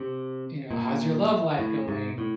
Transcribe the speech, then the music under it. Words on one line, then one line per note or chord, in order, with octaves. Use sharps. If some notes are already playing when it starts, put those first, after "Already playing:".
you know, "How's your love life going?"
Already playing: C3
A#2
A2
G#2
A2